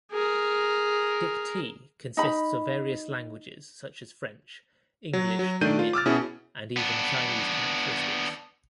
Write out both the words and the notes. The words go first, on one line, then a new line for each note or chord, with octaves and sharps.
"Dictee" consistes of various languages such as French, English, Korean and even Chinese characteristics.
G#4 A#4
D#4 B5
F#3
F#3
D#3 A3 D4 D5 G6 D#7
F4
D6 E6 F6 A6
B2 C#4 E4 G#4
B3 D4